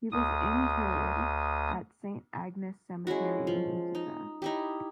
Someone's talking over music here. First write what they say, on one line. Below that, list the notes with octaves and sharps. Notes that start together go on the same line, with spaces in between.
He was interred at Saint Agnes Cemetery in Utica.
D2 D#6
G#3 C#4 E4 F#4
F3
D#4
D#4 E4 G4